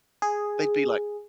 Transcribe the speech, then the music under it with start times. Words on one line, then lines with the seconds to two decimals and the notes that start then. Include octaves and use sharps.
They'd be like
0.22 G#4